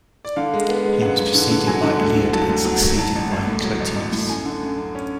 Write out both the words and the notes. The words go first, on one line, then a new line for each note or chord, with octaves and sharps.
He was preceded by Eliud and succeeded by Clotenus.
D5
D3 F5
G#3
B3
G#3
F#2 F#5
F#2
D3
D3
F#3 G#5
D3
D2
D3
F#3 A5
D2
F#3
F#3
F#3 A5
A1
A1
A2
F#3
A1
A1
A2
F#2 G#5
D3
F#2
F#2
C#4